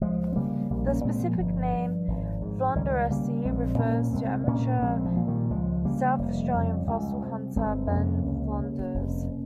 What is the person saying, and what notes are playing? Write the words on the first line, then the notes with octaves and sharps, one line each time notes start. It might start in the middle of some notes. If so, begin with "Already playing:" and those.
The specific name "floundersi" refers to amateur South Australian fossil hunter Ben Flounders.
C#2 F3 G#3
C4
C#3 G3 A#3
A#1 G3 A#3
A#3 C#4
A#2 G#3 C4
F3
G1
G2
G#1
G#2
C#2 D#3 G3
C#3 G3 A#3
A#1 G#3 C4
A#2 A#3 C#4
C2 G#3 C4
A#2 A#3 C#4
A#1 G#3 C4
F3
A#2
D#3 G3
C#2 F3 G#3
C#3 G3 A#3
F1
F2 C#3
C#2
C3
G1 G#3 C4
F2 C3 A#3 C#4
C#2
C#3
F1